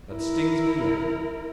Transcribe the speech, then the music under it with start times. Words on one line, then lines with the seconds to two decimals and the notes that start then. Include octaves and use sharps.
That stings me yet.
0.12 E4 A#4